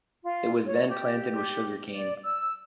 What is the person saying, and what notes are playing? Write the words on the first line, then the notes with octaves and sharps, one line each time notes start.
It was then planted with sugarcane.
F4
C#5
G4
D5
E6